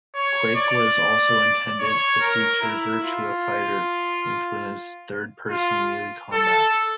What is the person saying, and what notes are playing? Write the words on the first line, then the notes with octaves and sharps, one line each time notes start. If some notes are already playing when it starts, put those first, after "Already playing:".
"Quake" was also intended to feature "Virtua Fighter" influenced third-person melee combat.
C#5
D5
C#5
A#4
E4
F4
F4
A4